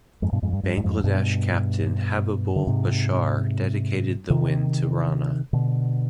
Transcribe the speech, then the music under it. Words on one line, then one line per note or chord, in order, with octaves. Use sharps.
Bangladesh captain Habibul Bashar dedicated the win to Rana.
F2 G#2
G2 B2
F2 G#2
G2
G2
G2
F2 G#2
G2 B2
D3
G#2 C3
C3 D#3
B2 D3